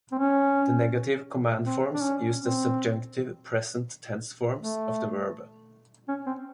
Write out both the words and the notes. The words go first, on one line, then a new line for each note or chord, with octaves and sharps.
The negative command forms use the subjunctive present tense forms of the verb.
C4
C#4
C4
D4
C#4
C4
A3
C#4
C4